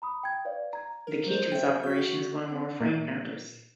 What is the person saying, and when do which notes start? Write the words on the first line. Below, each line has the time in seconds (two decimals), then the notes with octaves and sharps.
The key to its operation is one or more frame counters.
0.02 A#5 B5 D#6
0.23 G5 G#6
0.45 B4 C#5 D5 F5
0.73 A#5 G#6
1.07 A#4
1.26 F#3 C5
1.52 E5 G5
1.83 F#4 G6 B6
2.50 C4
2.80 A#2